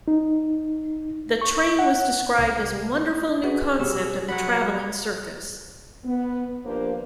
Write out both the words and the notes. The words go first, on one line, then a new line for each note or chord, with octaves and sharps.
The train was described as a wonderful new concept of the travelling circus!
D#4
C#6
F#5
C2
F#4 G#4 B4
B2 G3 E6
F#3 F#5 B5
B3
F3 A#3 D4 G4 B4 C5